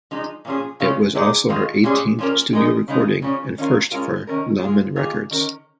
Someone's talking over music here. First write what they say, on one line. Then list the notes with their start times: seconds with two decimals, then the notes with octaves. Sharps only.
It was also her eighteenth studio recording and first for Lamon Records.
0.11 F3 G#3 D#4
0.45 A#2 F3 C#4 G#4
0.80 C#3 G#3 C#4 F4
1.15 A#2 A#3 D#4 G#4
1.49 D#3 G#3 F4
1.84 A#2 G#3 C#4 G#4
2.19 F3 A#3 C#4 A#4
2.53 G#3 D#4 A#4
2.88 C#3 G#3 D#4
3.22 C#3 F3 C#4
3.58 D#3 C#4 F4 A#4
3.92 G#3 C#4 F4 A#4
4.27 D#3 C#4 A#4
4.61 G#3 F4 G#4
4.96 D#3 A#3 F4 G#4
5.31 D#3 C#4 A#4